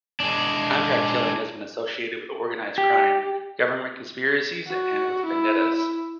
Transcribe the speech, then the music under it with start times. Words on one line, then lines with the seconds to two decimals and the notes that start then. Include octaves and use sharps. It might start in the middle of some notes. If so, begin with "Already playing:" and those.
Contract killing has been associated with organized crime, government conspiracies and with vendettas.
0.20 G#3 D4
2.78 G4
4.67 F#4
5.26 E4